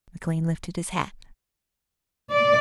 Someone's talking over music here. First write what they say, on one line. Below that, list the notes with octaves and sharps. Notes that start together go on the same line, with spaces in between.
McLean lifted his hat.
D5